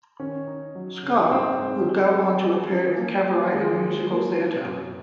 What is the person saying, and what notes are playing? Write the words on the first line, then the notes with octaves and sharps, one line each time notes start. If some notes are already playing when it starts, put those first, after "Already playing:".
Scott would go on to appear in cabaret and musical theatre.
D#3 C#4
D#4
F#3
C#3
G#2 C4
G#2
G#4
G#4
G#4
C#4
A#3
A#3
D#3 G#3
D#3
F#3 A#3
C4
F#2